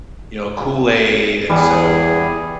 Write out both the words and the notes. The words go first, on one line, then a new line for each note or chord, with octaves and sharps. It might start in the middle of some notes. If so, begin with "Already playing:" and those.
you know, Kool-Aid, and so,
E2 E3 G3 G#4